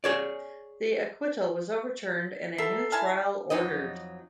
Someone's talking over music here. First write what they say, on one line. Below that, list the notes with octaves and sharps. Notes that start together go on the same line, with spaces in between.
The acquittal was overturned and a new trial ordered.
G#4 C#5 D5
B2 A4 A#4 E5 B6 C7
E4 G#5 A5 F6
F2 F#3 D#4 D#5